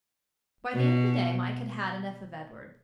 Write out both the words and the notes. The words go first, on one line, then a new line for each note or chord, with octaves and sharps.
By the end of the day Mike had had enough of Edward.
B2